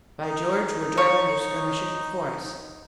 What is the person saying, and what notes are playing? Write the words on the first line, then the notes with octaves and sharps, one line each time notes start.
By George, we're driving their skirmishers before us!
D#4
C#5